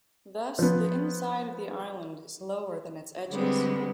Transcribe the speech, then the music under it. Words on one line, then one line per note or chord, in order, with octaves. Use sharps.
Thus the inside of the island is lower than its edges.
F3 B3
D3 G3 G#3 B3 C4